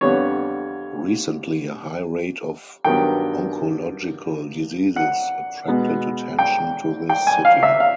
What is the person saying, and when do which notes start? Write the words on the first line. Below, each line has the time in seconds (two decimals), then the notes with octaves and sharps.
Recently, a high rate of oncological diseases attracted attention to this city.
0.01 F2 D3 G3 B3 C#5
2.84 G2 D#3 F#3 B3 G5
4.96 F#5
5.68 B2 G#3 B3
6.39 G5
7.09 G5
7.27 G#5
7.45 F5
7.63 E5
7.80 F5